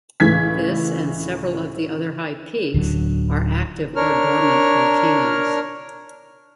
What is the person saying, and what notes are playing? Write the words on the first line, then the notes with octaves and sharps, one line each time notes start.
This, and several of the other high peaks, are active or dormant volcanoes.
C#2 A2 E3 G#6 B6
D1 D3 F#3
D4 A#4 C#5 F6